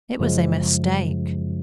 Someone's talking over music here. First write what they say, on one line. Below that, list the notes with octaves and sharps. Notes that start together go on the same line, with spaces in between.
It was a mistake.
F#2 C#3 F3 G#3